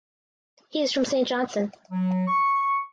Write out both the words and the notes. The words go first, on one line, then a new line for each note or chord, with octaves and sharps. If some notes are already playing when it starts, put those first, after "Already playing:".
He is from St Johnston.
F#3
C#6